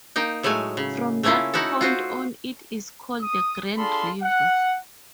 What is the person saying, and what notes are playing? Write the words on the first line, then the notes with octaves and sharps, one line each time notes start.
From that point on it is called the Grand River.
A#3 D#4 G5
A2 F#3 G#3 A3 G#5
C#3
A3 A#3 C#4 E4 F4
D#4 E4 F#4 A4
F4 F#4 C5
D#6
D4 F4 G#4 A4 B5 C6
F#5